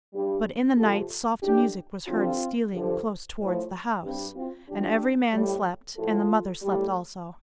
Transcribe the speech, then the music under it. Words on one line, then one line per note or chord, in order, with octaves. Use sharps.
But in the night soft music was heard stealing close towards the house, and every man slept, and the mother slept also.
G2 G3
F2 C3 F3 F4 A4
A2 G3 D4 G4
G2 D3 F3 C4 F4
G2 D3 F3
A2 F3
G2 G3 C4
C4 F4
A2 F3 D4 G4
A2 G3
A2 F3 F4 A4
A2 G3